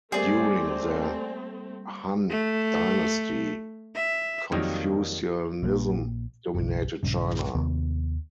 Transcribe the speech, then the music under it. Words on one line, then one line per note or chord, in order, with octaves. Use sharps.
During the Han dynasty Confucianism dominated China.
G3 A3 A#3 C4 G#4 D5
A3
E5
F2 D#3 F#3 G3 A#3
A#1 A#2 C#3 A#3
F#1 B1
A#1 G2 C#3
D#2 C3 D#3 B3